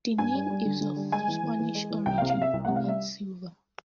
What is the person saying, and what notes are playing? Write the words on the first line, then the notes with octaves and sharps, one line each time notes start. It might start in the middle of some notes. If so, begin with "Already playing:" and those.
The name is of Spanish origin meaning "Silver".
G2 G#5
G3
G3
D3
D3
G3
G#3 G#5
E3
E3
E3
G#3
E3
C2 G5
F5
C3
F5
C3 E5
C2
C3 F#5
F5
G3 E5